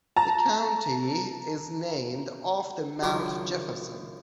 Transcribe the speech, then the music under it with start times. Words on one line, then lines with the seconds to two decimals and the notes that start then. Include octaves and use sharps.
The county is named after Mount Jefferson.
0.16 A5 A#5
3.02 C#2 F#2 D#3 D4 E4 C#6